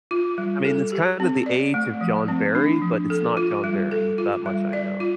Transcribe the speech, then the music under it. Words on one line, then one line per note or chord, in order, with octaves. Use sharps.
I mean, it's kinda the age of John Berry, but it's not John Berry, that much I know.
F4
G3
A4
G4
C4
D5
A3
F3
C4
D4
F3
A4
F4
G3
A4
F4
G3
D5
F4